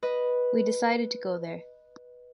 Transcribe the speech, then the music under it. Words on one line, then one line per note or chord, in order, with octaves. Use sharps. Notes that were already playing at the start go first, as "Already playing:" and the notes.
We decided to go there.
B4 D#5